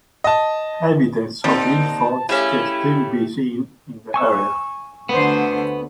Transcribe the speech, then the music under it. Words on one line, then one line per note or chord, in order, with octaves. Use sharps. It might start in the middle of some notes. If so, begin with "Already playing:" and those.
Evidence of hill forts can still be seen in the area.
D#5 A5
G3 A#3 C4 D#4 A5
C#3 A3 C#4 E4 G4 E5
G#5 C#6 E6
D2 D3 B3 C5